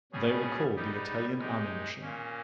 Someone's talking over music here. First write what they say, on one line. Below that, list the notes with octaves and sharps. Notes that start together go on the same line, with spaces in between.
They were called the Italian Army Mission.
B2 G3 C#4 G#4
G3 B3 D#4 G4
G#3 D#4 G4
A#2 A#3 C#4